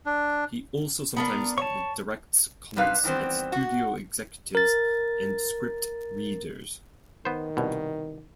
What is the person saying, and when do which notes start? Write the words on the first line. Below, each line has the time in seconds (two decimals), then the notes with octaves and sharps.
He also sometimes directs comments at studio executives and script readers.
0.06 D4
1.16 B3 D4 A#4
1.58 C#5 A5 C#6
2.76 C3 G3 D#4 B4 F5
3.04 D#3 E3 G3 B3 C4
3.52 F#4
4.55 A#4 A6
7.25 D#3 B3 C5
7.57 C2 B2